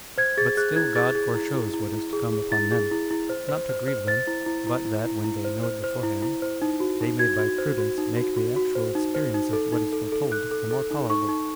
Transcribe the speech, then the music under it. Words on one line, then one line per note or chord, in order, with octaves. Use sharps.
But still God foreshows what is to come upon men, not to grieve them, but that, when they know it beforehand, they may by prudence make the actual experience of what is foretold the more tolerable.
C5 G#6
G#4 A6
G#4 F#6
E4 G#6
G#4 A6
G#4
E4
E4
E4
E4
G#4
G#4
E4 A6
G#4
E4
E4
C5
C5
C5
C5
C5 A6
E4
E4
E4
E4
E4
E4
C5
C5
C5
E4
E4
C5
D#4
F#4
D#4
F#4 G#6
F#4
C5
F#4
D#4
F#4
F#4
F#4
C5
D#4
C5
D#4
A4
D#4
A4
A4
A4 F#6
A4
A4
D#4
D#4 C#6
D#4